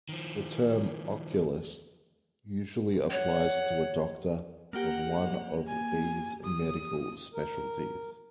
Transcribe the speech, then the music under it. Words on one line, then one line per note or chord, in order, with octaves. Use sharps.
The term "oculist" usually applies to a doctor of one of these medical specialties.
D#3 F3
C#5 F#5
A#3 G4 F#5
G#5
D#6
A#4